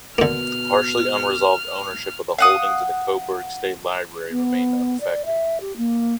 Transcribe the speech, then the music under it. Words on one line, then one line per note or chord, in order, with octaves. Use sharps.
The partially unresolved ownership of the holdings of the Coburg State Library remained unaffected.
B2 D3 A#3 F6
F5 F#5 D#6
B3
D5
E5
G4
A#3